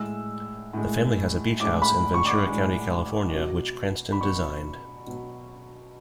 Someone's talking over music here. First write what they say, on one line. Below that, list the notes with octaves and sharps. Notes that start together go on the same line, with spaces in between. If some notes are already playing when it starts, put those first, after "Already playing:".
The family has a beach house in Ventura County, California, which Cranston designed.
Already playing: A2 G#3 E6
A2 G#3
A2 G#3 D6
B5
C#6
D6
G#3
A2
B2 F#3
B5
B2 F#3 C#6
B2 F#3